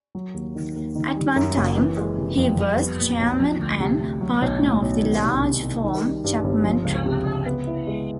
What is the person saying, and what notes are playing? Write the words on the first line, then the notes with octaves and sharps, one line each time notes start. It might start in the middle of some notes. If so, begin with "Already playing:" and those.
At one time, he was chairman and Partner of the large firm Chapman Tripp.
F#3
D#2
D#3
D#2
D#3
G3
F#2
F#1
E3
G#3
C3
F2
G3
B3
A#2
B1
F3
D2
C3
D2
F#3
B1
A2
B1
D#3
C2
C3
C2
D#3
G3
G2
G1
F3
C#2
C3
C#2
B3
E4
G#3